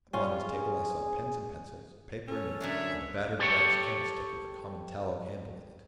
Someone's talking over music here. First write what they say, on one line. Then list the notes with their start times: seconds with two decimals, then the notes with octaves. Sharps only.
Upon his table I saw pens and pencils, paper and ink, and a battered brass candlestick with a common tallow candle in it.
0.13 G3 C#4 F4
0.44 G#4
2.28 C#4 A4
2.60 F#2 D3 G#3 C#5 E5
3.39 G4 A4 C#5